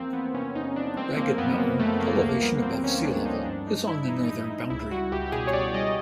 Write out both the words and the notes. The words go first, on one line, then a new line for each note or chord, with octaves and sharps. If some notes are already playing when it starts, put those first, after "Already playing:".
Ragged Mountain, elevation above sea level, is on the northern boundary.
Already playing: E2 F3 A#3 C4
E2 B3
C3 C#4
E2 D#4
F3 D4
G#3 C4
F3 A#3
F#2 B3
C#3 A#3
G#3 A3
F3 A#3
D2 A#3
G3 B3
D2 C4
D3 C#4
D2 D4
G3 D#4
G2 D4
G#3 D#4
G2 E4
E3 D#4
D#4
G2
E4
G#3
C#2 E4
G3 F#4
C#2 G4
G4
B2 G#4
C#5
C#2 D5
G3 D#5